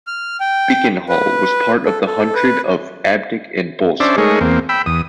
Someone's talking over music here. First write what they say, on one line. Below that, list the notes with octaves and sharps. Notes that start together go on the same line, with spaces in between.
Bickenhall was part of the hundred of Abdick and Bulstone.
F6
G5
B4
A4
A4
B4
C#4 D4 C5 D5 E5
G#3 A3 D#4 G#4 A#4 C#5
E2 A#3 C4
G5 B5 E6
E2 D#6